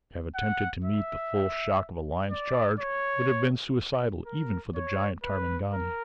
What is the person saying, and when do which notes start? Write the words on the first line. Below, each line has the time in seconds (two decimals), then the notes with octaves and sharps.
To have attempted to meet the full shock of a lion's charge would have been suicidal even for the giant Tarmangani.
0.35 F#5
0.84 E5
2.31 D5
2.80 C#5
4.26 A#4
4.75 C#5
5.23 B4
5.72 A#4